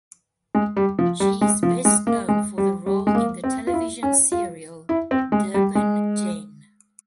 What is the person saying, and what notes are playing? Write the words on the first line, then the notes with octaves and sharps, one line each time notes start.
She is best known for the role in the television serial "Durban Gen".
G#3
G3
F3
G3
G#3
F3
G#3
A#3
G#3
G3
G3
G#3
A#3
C4
F4
E4
C#4
F4
E4
C4
G#3
G3
G#3